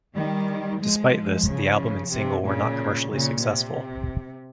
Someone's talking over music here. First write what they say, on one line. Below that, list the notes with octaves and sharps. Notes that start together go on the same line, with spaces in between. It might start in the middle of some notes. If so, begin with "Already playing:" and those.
Despite this, the album and single were not commercially successful.
D#3 G3
F3 G#3
C#3 F3
C3
A#2 C#3
A#2 C#3
C3